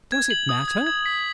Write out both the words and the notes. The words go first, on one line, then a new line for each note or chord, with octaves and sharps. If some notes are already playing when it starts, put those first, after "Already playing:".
"Does it matter?"
G#6
F#7
D#6
G#6
G#6
B6